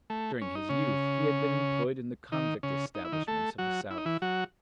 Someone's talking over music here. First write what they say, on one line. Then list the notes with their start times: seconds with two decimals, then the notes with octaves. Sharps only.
During his youth he had been employed in the convict establishments of the South.
0.10 A3
0.41 C#4
0.55 D#4
0.69 C#3 C#4
2.32 D#3 D#4
2.63 C#3 C#4
2.95 D#4
3.05 E4
3.12 D#3 D#4
3.27 A3 A4
3.58 F#3 F#4
3.90 E4
3.98 D#4
4.05 E3 E4
4.22 F#3 F#4